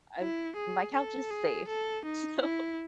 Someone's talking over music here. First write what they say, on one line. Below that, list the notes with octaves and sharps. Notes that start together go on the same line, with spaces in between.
I've my couch is safe, so
E4
G#4
A4
G#4
A4
D#4
E4